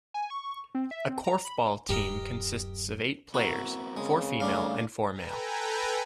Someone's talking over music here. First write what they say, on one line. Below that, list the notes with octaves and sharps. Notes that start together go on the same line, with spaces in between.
A korfball team consists of eight players; four female and four male.
G#5
C#6
C4
E5
C4
A#5
B5
D1 F#2 G4 A#4 D#5
B3 C4 E4 F#4 A#4
C#3 G#3
G3 A3 D4 D#4 F5
A4 B4 G5 G#5 A#5